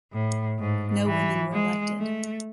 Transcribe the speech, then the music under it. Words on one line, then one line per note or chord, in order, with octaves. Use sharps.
No women were elected.
A2
G#2
E3
G#3
A3